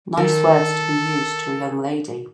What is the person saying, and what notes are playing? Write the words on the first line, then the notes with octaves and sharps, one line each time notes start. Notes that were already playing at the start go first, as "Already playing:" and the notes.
Nice words to be used to a young lady!
D#3 A4